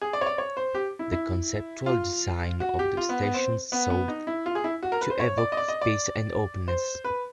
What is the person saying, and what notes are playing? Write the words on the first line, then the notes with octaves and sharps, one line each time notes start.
The conceptual design of the stations sought to evoke space and openness.
G#4
D5
C#5
D5
C#5
C5
G4
E4
E4
F4
F#4
G4
F4
B3
B3
C4
B3
B3
D#4
E4
F4
G#4
E4
F#4
A#4
B4
C5
C#5
D5
D#5
D5
D#5
D5
C5
B4